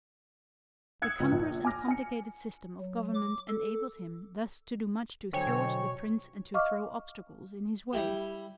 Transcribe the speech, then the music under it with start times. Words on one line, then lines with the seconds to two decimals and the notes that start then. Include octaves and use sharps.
The cumbrous and complicated system of government enabled him thus to do much to thwart the prince and to throw obstacles in his way.
1.02 D#6 E6 F#6 G#6 C#7
1.20 C#2
1.32 A#1
1.65 G#5 D6 F6 A#6
1.88 G#5 C#7
2.81 F#3
3.14 D6
3.49 A4
5.33 D3 F#3 C5 C#5 G5 G#5
5.47 B2
6.54 D#5 F5 C#6 D6 F6
7.93 G3 E4 G4